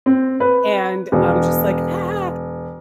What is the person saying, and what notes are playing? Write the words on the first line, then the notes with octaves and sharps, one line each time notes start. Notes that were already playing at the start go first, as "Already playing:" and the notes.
and I'm just like, "Ah!"
C4
B4
E1